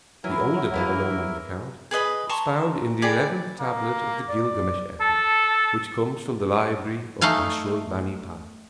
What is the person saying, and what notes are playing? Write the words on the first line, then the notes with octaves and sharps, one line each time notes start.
The older Babylonian account is found in the eleventh tablet of the Gilgamesh epic, which comes from the library of Asshurbanipal.
E3 F#3 E4 A#4
E3 G#3 A#3
G#4 B4 D#5 B5
A5 A#5 C6 C#6
G4 G#4 D5 B5
A#3
D5
A4 A5
A3 D#4 F5 G#5